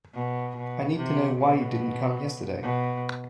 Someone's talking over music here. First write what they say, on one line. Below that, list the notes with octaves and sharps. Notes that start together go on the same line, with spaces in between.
I need to know why you didn’t come yesterday.
B2
B2
C3
B2
B2